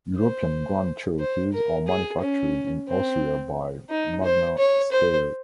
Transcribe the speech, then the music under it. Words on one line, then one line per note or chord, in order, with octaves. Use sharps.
European Grand Cherokees are manufactured in Austria by Magna Steyr.
C5
C5
A#4
G#4
C#4
C4
D#4
C5
C#5
C5